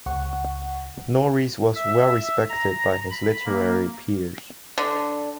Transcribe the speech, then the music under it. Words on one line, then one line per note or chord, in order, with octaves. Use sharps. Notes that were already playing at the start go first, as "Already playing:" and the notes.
Norris was well respected by his literary peers.
C#2 F#5 C#6
E5
A#5
B5
A#3
D3